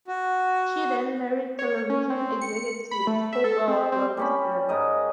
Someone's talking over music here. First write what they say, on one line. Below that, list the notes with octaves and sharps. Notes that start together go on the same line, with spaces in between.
She then married television executive Hubbell Robinson.
F#4
C#5
C#4
C4
C#7
B5
A3
E5
A4
C4
C4
G3 C#4 B5
G#2 A#4 D#5